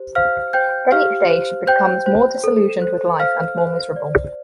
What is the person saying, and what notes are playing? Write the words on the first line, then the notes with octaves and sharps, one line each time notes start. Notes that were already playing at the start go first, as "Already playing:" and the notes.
Then each day she becomes more disillusioned with life and more miserable.
Already playing: G4 C5
C5 F5 F6
C5 G5 G6
G4 F5 F6
C5
C5 G5 G6
C5
A4
C5
C5 F5 F6
C5
D5